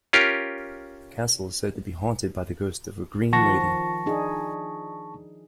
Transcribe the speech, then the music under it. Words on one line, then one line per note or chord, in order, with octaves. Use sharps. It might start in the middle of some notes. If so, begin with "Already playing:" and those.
The castle is said to be haunted by the ghost of a 'Green Lady'.
C#4 F4 G4 A#4
D#3 F3 F#5 A5 C#6 A#6
D4 D#4 G#4